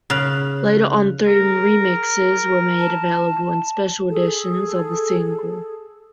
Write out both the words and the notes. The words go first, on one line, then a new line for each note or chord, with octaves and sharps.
Later on three remixes were made available in special editions of the single.
C#3 F6 F#6 F7
G#4 A#4
A5
G#4 A4